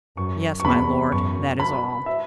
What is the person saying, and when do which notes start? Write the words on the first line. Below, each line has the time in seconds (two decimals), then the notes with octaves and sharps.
"Yes, my lord; that is all."
0.17 F#2 C#6
0.60 C#6
0.64 E2 B5
1.12 F#2 C#6
1.60 B5
2.06 E5